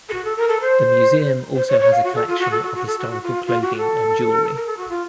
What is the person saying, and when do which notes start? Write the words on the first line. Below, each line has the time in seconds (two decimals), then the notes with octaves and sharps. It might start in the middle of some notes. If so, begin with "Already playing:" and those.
The museum also has a collection of historical clothing and jewellery.
0.09 A4
0.13 F#4
0.25 A4
0.37 A#4
0.49 A4
0.61 C5
1.55 C5
1.68 C#5
1.79 C#5
1.92 F5
2.04 F#4
2.15 A4
2.28 F4
2.39 F#4
2.51 A4
2.63 F#4
2.74 F#4
2.87 A4
2.98 F#4
3.10 F#4
3.22 F4
3.47 F4
3.62 F#4
3.78 A4
4.54 A#4
4.66 A4
4.77 F#4
4.89 F4